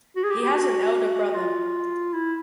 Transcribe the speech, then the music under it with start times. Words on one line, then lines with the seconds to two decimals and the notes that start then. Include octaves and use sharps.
He has an elder brother.
0.16 F#4
0.24 G#4
0.30 G4
0.43 G4
0.55 F#4
1.34 F4
2.13 E4